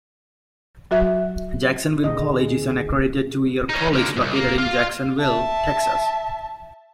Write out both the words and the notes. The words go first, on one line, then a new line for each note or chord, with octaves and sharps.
Jacksonville College is an accredited two-year college located in Jacksonville, Texas.
F#3 F#4 E5
D2 A#2 D#3 G#4 D#5
C#4 D#4
D3 A#3
C2 G#2
A#3
F4 F5
E5 A5